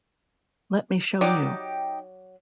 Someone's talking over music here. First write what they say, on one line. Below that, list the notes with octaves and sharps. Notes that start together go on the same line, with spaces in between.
Let me show you.
F#3 D#4 G4 D5